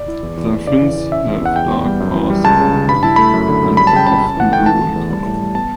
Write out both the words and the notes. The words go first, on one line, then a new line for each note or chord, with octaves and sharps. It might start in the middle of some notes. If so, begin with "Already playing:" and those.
Their fins have dark bars on them and are often blue in colour.
Already playing: D5
E4
E2
E2
E2
C#3 D5
E3
E3
C#4 E5
E2
E2 F#5
E2 G5
B3
G3
F#2
E3
G3
C#2 A5
C#3
C#3
G2 B5
E4 A5
A3 B5
F#2
D3
F#2
G3 B5
A5
C#3 G5
C#2 A5
C#4
E3 F#5
A3 G5
E3 A5
E3
E2
G3
A2
G3
B3 A5